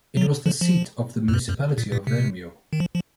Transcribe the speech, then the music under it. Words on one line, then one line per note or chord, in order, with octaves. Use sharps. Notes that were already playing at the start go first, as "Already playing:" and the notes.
It was the seat of the municipality of Vermio.
F#3
F3
F3
F2
F#2
F#2
A#2
A#2
C3
D#3
F3
F3